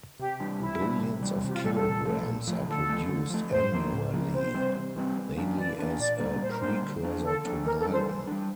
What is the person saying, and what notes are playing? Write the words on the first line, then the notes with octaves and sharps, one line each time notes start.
Billions of kilograms are produced annually, mainly as a precursor to nylon.
C3 G4
E3 G3 D4
C3 E4
E3 G3 D4
C3
E3 G3
C3 G4
F4
E3 G3 A4
A4
A#2
F3 A3
A#2
F3 A3
D3 A4
F3 A3
D3
F3 A3
A2 C5
F3 A#3
A2
F3 A#3
C3 C5
E3 G3 C4
C3
E3 G3 C4
E3
A#3 D4
E3 D5
A#3 D4
A#2 D5
G3 A#3 D4
A#2 C5
A#4
G3 A#3 D4 C5
D3
F3 A#3 D4
D3 A4
F3 A#3 D4
E3 A#4
A4
G3 D4
C5
E3
G3 D4